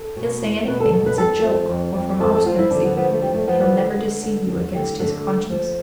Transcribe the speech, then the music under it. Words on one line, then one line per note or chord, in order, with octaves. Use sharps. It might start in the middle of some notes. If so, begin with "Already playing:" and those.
He'll say anything as a joke or from obstinacy, but he'll never deceive you against his conscience.
Already playing: A4
B2
E2
B2 B4
A4
B2 A4
B4
F2 A4
F3
F2
F2
F3 A4
A4
F3 F4
E4
D3 D4
B3
F3 B3
A3
E2 G3
A3
F3 B3
B3
D3
D3
D3
E2
D3 G3
D3 A3
D2
F3